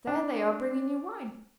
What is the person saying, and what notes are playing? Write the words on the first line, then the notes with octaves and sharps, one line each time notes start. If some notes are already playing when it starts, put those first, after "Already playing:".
There they are bringing new wine.
D4